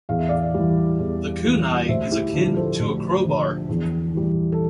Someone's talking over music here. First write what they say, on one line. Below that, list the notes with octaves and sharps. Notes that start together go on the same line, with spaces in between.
The kunai is akin to a crowbar.
E2 F5
E5
D5 F5
E3 G3
E2
E3 G3
D2 C5 E5
E4 G4
D3 F3 D4 F4
A4 C5
D2
D3 F3
E2
E3 G3
A4